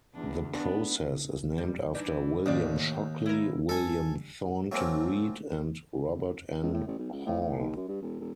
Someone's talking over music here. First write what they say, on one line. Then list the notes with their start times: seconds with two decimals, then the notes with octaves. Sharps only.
The process is named after William Shockley, William Thornton Read and Robert N. Hall.
0.14 E2 D4
0.55 B3 D4
1.58 G3
1.95 E3 D4 D#4
2.46 D#2 A2 C3 D5
3.26 E4 A#4
3.69 G2 A4 G#5
4.72 F#3 A3 A#3 C4 C#4
6.62 C#2
6.74 A2
6.87 A1
6.99 B1
7.13 C#2
7.26 A2
7.41 A2
7.59 D#2
7.76 F#2
7.89 G2
8.02 E1
8.20 E1